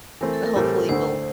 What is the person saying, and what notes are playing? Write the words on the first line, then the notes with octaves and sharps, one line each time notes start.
and, hopefully, we'll
E3 A3 C4 A#4
A4
A#4
A2 E3 G3 C4 G4
D2 D3 A3 C5